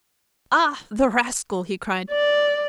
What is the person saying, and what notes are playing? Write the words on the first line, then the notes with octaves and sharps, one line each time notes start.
"Ah, the rascal!" he cried.
D5